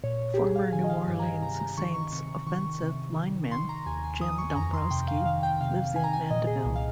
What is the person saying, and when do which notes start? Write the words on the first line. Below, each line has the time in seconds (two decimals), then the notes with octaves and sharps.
Former New Orleans Saints offensive lineman Jim Dombrowski lives in Mandeville.
0.04 A#2 C#5
0.34 G4
0.38 C2 G#4
0.56 F5
0.73 D#3 G#5
0.84 D#5
0.90 F5
1.07 G2 G#5
1.19 A#5
1.25 G#5
1.42 C3 A#5
1.60 A#5
1.78 D#3 C#6
1.94 C#6
2.12 C3 C#6
2.47 D#3 C#6
2.82 C3
3.16 D#3
3.45 C#6
3.51 D#3 C6
3.69 A#5
3.86 D#2 G#5
4.04 G#5
4.21 D#3 D#6
4.38 C#6
4.50 G#5
4.56 F2 A#5
4.74 C6
4.90 C3 G5
5.08 F5
5.25 D#3 F5
5.43 G5
5.61 C3 F5
5.95 D#3 G#5
6.04 A#5
6.13 G#5
6.31 A#2 D#5
6.47 G#4
6.65 C2
6.76 F5